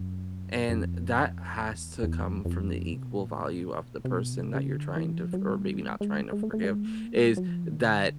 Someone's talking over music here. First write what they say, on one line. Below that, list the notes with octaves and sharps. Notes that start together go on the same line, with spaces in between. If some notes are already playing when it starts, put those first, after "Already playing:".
and that has to come from the equal value of the person that you're trying to for or maybe not trying to forgive, is that
Already playing: F#2
F#2
F2
F#2
F2
E2
E2
F2
F2
C3
B2
A#2
A2
B2
A#2
C3
B2
C3
C#3
D3
E3
F3
F#3
G3
G#3
G#3
G#3
A3
A3
G#3
A3
A#3
G#3
G3
F#3
F3
E3
D#3
C#3
D3